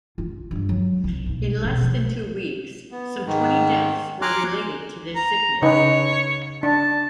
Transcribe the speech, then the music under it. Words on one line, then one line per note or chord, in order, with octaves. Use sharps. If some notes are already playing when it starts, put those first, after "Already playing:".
In less than two weeks, some twenty deaths were related to this sickness.
F4
G2
F#3
C2
B1
B2
F#3
B3
G#2 D#3
G#5 A#5 C6 D6 F6 F#6
A#5
C#3 D#4 B4 C#5
D4 A5